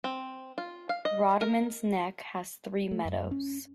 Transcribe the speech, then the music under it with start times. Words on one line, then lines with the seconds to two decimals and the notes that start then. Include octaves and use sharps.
Rodman's Neck has three meadows.
0.04 C4
0.58 F4
0.89 F5
1.05 D#5
1.41 A#4
2.91 A3
3.05 F#2
3.31 C#4